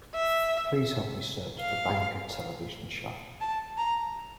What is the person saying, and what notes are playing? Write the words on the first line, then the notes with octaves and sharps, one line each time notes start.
Please help me search The Banker television show.
E5
F5
A5
A#5